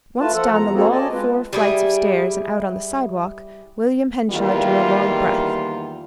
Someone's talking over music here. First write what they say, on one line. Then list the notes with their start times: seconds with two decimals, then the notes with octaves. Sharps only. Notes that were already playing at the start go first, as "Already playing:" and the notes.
Once down the long four flights of stairs and out on the sidewalk, William Henshaw drew a long breath.
0.20 A3 F4 B4 A5
0.34 F3 F4 A4 F#5
0.53 E2 A#5
0.74 A#3 C4 F#4 G#4 A4
0.91 C4 D5 D#5 G#5 A5
1.12 G#3 F4 B4
1.53 G3 E4 G#4
4.29 E2 D#3 G3 A#3 E4 F4